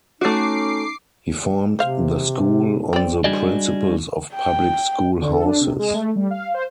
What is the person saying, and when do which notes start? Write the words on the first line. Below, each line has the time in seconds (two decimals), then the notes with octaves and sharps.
He formed the school on the principles of public school houses.
0.21 A3 C#4 D#4 F#4 D6 C7
1.79 C3 C5 F5
2.93 C4 D5
3.24 G3 D4 F#4 G#4 D5 D#5
4.33 G5
5.21 D3
5.33 A4
5.45 D4
5.61 C3
5.79 G#3
5.94 A3
6.16 G3
6.31 F5
6.54 C5